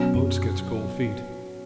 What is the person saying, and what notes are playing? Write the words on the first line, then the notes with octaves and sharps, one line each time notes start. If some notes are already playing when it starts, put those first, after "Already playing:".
Oates gets cold feet.
Already playing: B2 F#3 C#4
F#2